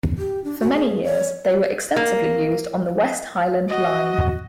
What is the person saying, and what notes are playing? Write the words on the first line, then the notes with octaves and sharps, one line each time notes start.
For many years they were extensively used on the West Highland Line.
G4
D4
F#4
G#4
C#5
A#3
F#4 D#5